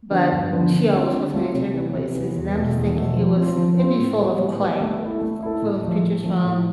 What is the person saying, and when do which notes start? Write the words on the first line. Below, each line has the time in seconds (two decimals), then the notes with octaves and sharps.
but she always wants me to take her places, and I'm just thinking, it was it'd be full of clay, g f for those pictures from
0.10 D3 F3 B3 D4
0.31 G2
0.51 D3 F3 B3 D4
0.72 D3
0.92 A3 C4 F4
1.13 D3
1.33 A3 C4 F4
1.54 C3
1.74 E3 B3
1.94 C3
2.14 E3 B3
2.35 E2
2.55 B2 A3
2.76 E2
2.96 B2 A3
3.16 F3
3.37 C4 F4 C5
3.57 F3
3.78 C4 F4 C5
3.99 A2
4.19 G3 B3
4.40 A2
4.60 G3 B3
4.81 A3
5.01 E4 A4
5.21 A3
5.42 E4 A4
5.62 A2
5.83 F3 A3
6.04 A2
6.24 F3 A3
6.44 A2